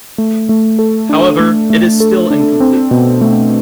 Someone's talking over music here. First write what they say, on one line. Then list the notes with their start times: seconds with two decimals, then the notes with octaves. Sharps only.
However, it is still incomplete.
0.18 A3
0.49 A3
0.79 A4
1.09 D4
1.40 A3
1.70 A3
2.00 A4
2.30 D4
2.60 C4
2.91 B2
3.21 A3